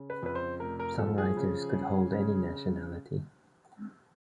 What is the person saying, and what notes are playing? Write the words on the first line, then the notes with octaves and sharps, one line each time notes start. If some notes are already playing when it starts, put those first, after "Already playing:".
Songwriters could hold any nationality.
Already playing: C#3
B4
F2 B4
C5
F1 A#4
A#4
F3 A4
G#4
C#3
C#3
C#3